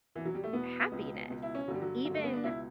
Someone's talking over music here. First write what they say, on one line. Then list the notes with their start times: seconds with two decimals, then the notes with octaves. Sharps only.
happiness even
0.15 E2 B2 E3
0.25 F#3
0.35 G3
0.44 A3
0.53 E2 B2 B3
0.92 C#2 B2
1.29 C#2 B2
1.42 E4
1.55 C#4
1.68 D3 F#3
1.71 G2 G3
1.82 F#3
2.05 G2 F#3
2.10 D3 A3
2.24 B3
2.33 D4
2.42 C#2 B2 E4